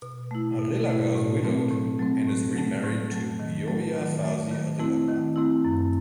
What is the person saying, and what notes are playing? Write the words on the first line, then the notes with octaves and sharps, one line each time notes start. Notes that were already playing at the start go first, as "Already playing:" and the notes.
Arrillaga is widowed, and is remarried to Gioia Fasi Arrillaga.
B2
A3 E4
B2
A3 E4
A2
F#3 A3 C4
A2
F#3 A3 C4
A2
F#3 A3
A2
F#3 A3
D#3
F#3 A3
D#3
F#3 A3
D#3
A3 C4 E4
D#3
A3 C4 E4
F#2